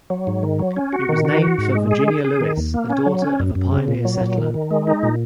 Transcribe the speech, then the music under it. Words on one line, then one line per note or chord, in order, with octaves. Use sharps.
It was named for Virginia Lewis, the daughter of a pioneer settler.
F#3
G#2
D#3
F#3
C#4
F#4
D#3
F#4
F#4
G#2
G#3
G#4
G#4
G#4
D#3
D#2
A#3
C#4
F#3
C#4
F#2
F#2
C#3
A#2
F#3
A#2
D#3
D#3
G#3
D#4
A#2